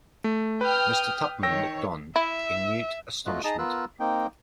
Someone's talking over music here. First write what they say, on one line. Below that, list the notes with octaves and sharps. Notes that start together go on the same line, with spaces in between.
Mr. Tupman looked on, in mute astonishment.
A3
B4 G5 D#6 F6
D#3 C#5 G5 E6 A#6
E4 E5
A3 F4 F#4 D#5 F#6
D#4 G#4 D#5 A5 A#5 D#6
B3 F4 A#4 E6 F#6
A#3 C4 D#4 G5